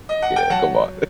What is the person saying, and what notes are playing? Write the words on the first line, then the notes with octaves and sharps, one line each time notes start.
Yeah, come on.
D#5
F#5
G5
F#3 F#5 A5